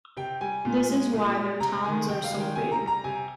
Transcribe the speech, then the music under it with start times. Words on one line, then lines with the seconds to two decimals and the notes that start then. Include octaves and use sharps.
This is why their towns are so big.
0.17 C3 G5
0.41 G3 G#5
0.65 A#2
0.89 G#3
1.13 A#2
1.37 G#3
1.60 C3 A#5
1.84 D#3 G#3 G#5
2.09 C3 G5
2.24 F5
2.32 D#3 G#3
2.40 G5
2.56 C3 G#5
2.72 A#5
2.80 G3
2.87 A#5
3.04 C3 G#5